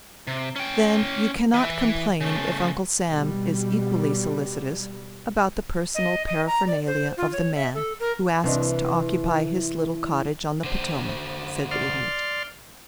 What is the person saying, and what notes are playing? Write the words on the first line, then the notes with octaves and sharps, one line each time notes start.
"Then you cannot complain if Uncle Sam is equally solicitous about the personal paraphernalia of the man who asks to occupy his little cottage on the Potomac," said the Idiot.
C3
C#4 G5
E3 E4
C#3 A3
B2 G3
D#5
D#5
A#5
D5
C5
F4
C#5
E5
A4
A#4
C2 E3 D4 D#5
D3 C5
D5 C6 F6